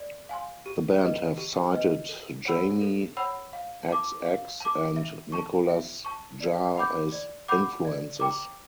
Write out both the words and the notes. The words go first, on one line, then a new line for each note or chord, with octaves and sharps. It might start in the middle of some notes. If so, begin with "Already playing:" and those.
The band have cited Jamie xx and Nicolas Jaar as influences.
Already playing: D5
F5 G#5 C6
G4
B4 D#5
G4
B4 D#5
A4
C#5 F#5 B5 E6
A4
C#5 F#5 B5 E6
F5
A5 D6
F5
A5 D6
E5
A5 C#6
E5
A5 C#6
D5
F#5 B5 D6 G6
D5
F#5 B5 D6 G6
D5
G5 A#5 D6